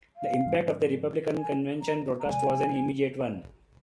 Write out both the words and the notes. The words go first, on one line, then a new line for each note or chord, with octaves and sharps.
The impact of the Republican Convention broadcast was an immediate one.
F5
G#2 F3 G#3 C4
G#5
A#5
A#5
C3 F3 G#3 G#5